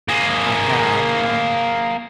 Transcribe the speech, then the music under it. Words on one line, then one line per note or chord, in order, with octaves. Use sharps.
I have, um
A#3 G#4